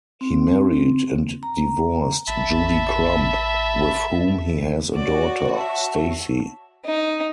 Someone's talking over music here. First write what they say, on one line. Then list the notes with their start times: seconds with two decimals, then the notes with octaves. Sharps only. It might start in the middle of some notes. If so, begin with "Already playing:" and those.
He married and divorced Judy Crump, with whom he has a daughter Stacy.
0.21 C4
1.43 A#5
2.28 A1 E5 A5 B5
4.95 F#4 C#5 D5
5.57 E5 A5
6.86 D#4